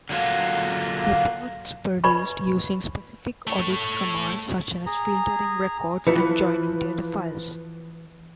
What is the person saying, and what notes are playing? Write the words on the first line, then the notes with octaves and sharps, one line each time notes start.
Reports produced using specific audit commands such as filtering records and joining data files.
D3 F#3 A#3 F4
B4 D5 B5 C#6
A3 C#5
G#4 A#5
E3 F3 B4 C#7